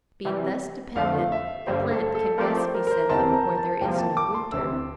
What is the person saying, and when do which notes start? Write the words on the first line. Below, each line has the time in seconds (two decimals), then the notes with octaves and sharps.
Being thus dependent, the plant can best be set up where there is no winter.
0.25 C3 E3 G3
0.95 F2 D3 F3 A3 F5
1.32 E5
1.67 G2 D3 G3 A#3 C5
1.91 A4
2.15 A4
2.38 F3 A3 C4 G4 A#4 D5
2.57 C5
2.74 A#4
2.87 A#4
2.91 C5
3.09 E2 C3 E3 G3 C4 A5
3.33 A#5
3.58 A5
3.81 E2 C3 F3 A#3 G5
3.98 A5
4.17 D6
4.35 C6
4.52 D2 C3 E3 E6